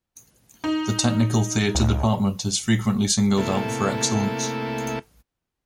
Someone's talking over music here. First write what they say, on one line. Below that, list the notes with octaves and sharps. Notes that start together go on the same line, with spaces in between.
The technical theater department is frequently singled out for excellence.
D#4
C#2
C3 A3 A#3 E4 A4